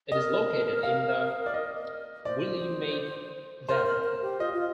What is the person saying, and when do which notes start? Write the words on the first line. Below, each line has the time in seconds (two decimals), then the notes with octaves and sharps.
It is located in the Willamette Valley.
0.12 A#4 D#5
0.83 F5
1.46 D5
1.54 D#5
2.25 C5 D5
3.68 A#4 C5
3.87 A#4
4.04 A#4
4.22 G4
4.40 F4 D#5
4.54 F4